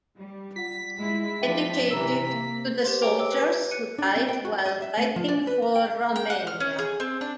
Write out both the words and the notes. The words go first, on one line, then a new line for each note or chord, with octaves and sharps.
Dedicated to the soldiers who died while fighting for Romania.
G3
F4 F#5 B6
G#3 E4
F3 D4 E5 G5
C3 E3 A#5 E6
A#3
G4 B4 C5 C6
C#5 G5 A#5 D6
A#4 G5 D6 E6
B4 D6 G#6 B6
F#6 C#7 D#7
D4
C4
G5
F#4
D#5
E5
A3
F3
D5
B4
A#5
G5
G5
F#5
F6
C#4
G#4
C4
D4